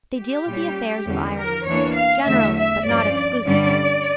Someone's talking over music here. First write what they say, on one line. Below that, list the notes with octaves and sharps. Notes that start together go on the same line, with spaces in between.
They deal with the affairs of Ireland--generally but not exclusively.
G4
A#2 G3 C#4
E2 D3 G3 C#4
A#4
E2 E3 A#3 D4 C#5
F5
E2 D3 A3 E5
E5
G2 F3 C#4 D5
G2 D3 G3 C#4 D5